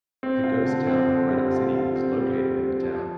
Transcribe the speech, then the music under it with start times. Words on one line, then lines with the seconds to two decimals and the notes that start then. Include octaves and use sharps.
The ghost town of Granite City was located in the town.
0.23 C4
0.44 F4
0.65 D3
0.87 C4
1.09 D3
1.31 G3
1.52 F4
1.75 F4
1.96 C4
2.18 G3
2.38 G3
2.61 C4
2.83 F3